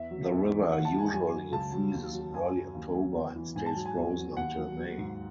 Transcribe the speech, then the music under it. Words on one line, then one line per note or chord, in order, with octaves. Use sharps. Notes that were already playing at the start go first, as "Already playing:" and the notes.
The river usually freezes in early October and stays frozen until May.
Already playing: E2 E5
F#3
E2
E3
D#2 F#5
A5
E3
G#5
F#2 G#5
F#3
C#2 A5
F#3
D#2
F#3
F#2 G#5
F#3
D#2
F#3
E2
E3
G#2 G#5
A5
F#3
G#5
E2
F#3
D#2 F#5
F#3
F#3
G#2